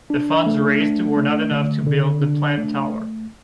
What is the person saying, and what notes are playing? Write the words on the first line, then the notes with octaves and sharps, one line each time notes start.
The funds raised were not enough to build the planned tower.
D4
A3
D4
A3
D3
D3
D4
A3